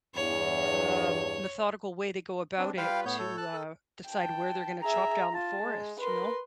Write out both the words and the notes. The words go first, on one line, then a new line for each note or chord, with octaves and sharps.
um, methodical way to go about it to, uh, decide where they're gonna chop down the forest, you know?
E2 G2 C#5
C4 D4
G3 F4 B4 F5 G5
A2 B3 C#5 G6
A4
A5 F#6
A4
G5 A5
G#4 E5 A#5
F4 A5
G#3
A#4 B4 C6